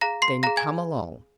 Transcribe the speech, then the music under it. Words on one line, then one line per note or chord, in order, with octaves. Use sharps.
"Then come along."
G#4 F5 A#5 A#6
C6 C7
G#4 F5 A#5 A#6
G#5 G#6